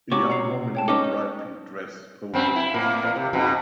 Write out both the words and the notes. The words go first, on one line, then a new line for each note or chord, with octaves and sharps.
A young woman in a bright pink dress poses for the camera.
C3 C#4 F#4 C#5 C#6 D6
F#5 A#5 C7
C#5 G5 A5
C#4 D#4 A4 D6
F#2 C4
E4
A2 A#3
C3
F2 G#2 B2